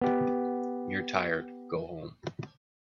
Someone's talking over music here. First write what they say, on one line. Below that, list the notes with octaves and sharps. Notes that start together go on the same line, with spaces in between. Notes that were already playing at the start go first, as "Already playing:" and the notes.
You’re tired, go home.
B3 G4